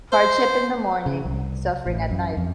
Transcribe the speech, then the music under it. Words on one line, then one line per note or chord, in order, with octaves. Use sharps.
Hardship in the morning, suffering at night.
C5
C#3
C2
A1
F#2
F2